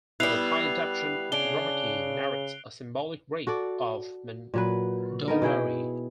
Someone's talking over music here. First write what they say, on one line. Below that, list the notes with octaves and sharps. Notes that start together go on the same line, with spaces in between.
The Thai adaptation "Ramakien" narrates a symbolic rape of Mandodari.
G3 B3 E4 F#6 C7 F7
C#3 D4 G#4 D7 G7
F#4 A4 D5
A#2 F#3 B4
D#3 B3 A#4
B2 E4 G#4 G5